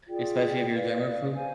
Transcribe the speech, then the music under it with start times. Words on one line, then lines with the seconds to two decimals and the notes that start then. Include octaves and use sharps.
Especially if you're a germaphobe.
0.07 F4 G#4 D5 G5
0.70 B4 D5 F5
1.32 C5 F5 G#5